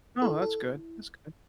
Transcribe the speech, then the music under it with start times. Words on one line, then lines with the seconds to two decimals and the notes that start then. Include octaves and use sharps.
Oh, that's good, that's good.
0.22 E4 A4
0.42 A4